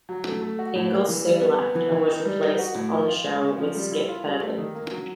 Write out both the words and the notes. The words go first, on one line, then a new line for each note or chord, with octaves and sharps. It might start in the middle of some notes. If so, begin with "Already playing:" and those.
Ingles soon left, and was replaced on the show with Skip Herman.
F#3
A3
A3
F#4
A2
A#3
E3
G3
B3
B3
E3
E3
D#4
G3
D#4
F#4
A2
F3
F4
G#3
C#3
F3
G3
E4
F4
G3
A3
D#3
A#3
F#3